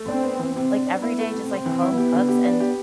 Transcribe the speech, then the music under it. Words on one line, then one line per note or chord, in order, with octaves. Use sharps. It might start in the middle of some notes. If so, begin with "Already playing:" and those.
like, everyday just, like, home cooks, and
Already playing: A3
C4 D4
B3
E3
C3 C4
D4
D4
B3 E4
A3
C3
C3 C4
E3
E4
B3 G4
D3
G4
D4
G4